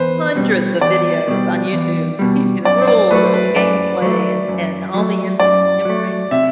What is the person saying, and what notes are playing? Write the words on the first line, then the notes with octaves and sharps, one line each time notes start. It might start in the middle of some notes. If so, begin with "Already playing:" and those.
hundreds of videos on YouTube to teach you the rules, and the gameplay, and and all the in information
Already playing: E2 B4 C5
B2 G3
E2 D5
B2 G3
E2
B2 G3
F#2 D5
C5
D5
F#3 A3 B4
C5
B4
F#2 D5
F#3 A3
F#2
F#3 A3
F#2 D5
F#3 A3
C3 E5